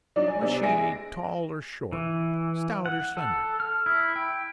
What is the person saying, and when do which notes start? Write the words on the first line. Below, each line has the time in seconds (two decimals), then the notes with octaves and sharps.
"Was she tall or short, stout or slender?"
0.16 F#3 D4 D#4
0.28 G#5
0.41 C3 B3 D4
0.62 G#3 G#4 E5 G#5 A#6 D7
1.92 E3
2.86 F#5
3.17 A4
3.60 F6
3.86 E4
4.16 G5